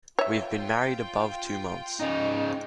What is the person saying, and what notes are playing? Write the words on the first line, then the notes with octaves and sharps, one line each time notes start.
We have been married above two months.
F4 C#5 E5 G5
C#3 D#4 D#5